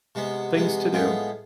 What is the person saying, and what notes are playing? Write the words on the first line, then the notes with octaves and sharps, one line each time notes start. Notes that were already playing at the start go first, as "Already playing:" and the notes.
things to do?
C3 G#3 B3
C3 G#3 B3
A2 G#3 B3 F4 G#4